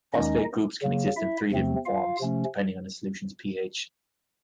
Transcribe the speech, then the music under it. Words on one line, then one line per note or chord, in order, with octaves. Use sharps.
Phosphate groups can exist in three different forms depending on a solution's pH.
D#2 D#3 G#3 C#4 D#4 D#5
C#3 F#3 A#3
E4 E5
E2 C3 F3 A3 C4
F4 F5
C3 F3 A3 C#4